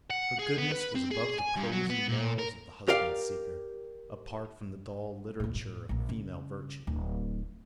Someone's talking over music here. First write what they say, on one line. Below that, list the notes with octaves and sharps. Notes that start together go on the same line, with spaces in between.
Her goodness was above the prosy morals of the husband-seeker, apart from the dull literature of female virtue.
F#5
G#4
B3
B4
C4
G#4
G#5
G2
F#3
B3
A#2
A#4
G4 A#4 D5 F5
D#2 A2
A2
A#1 A#2
C#3
D1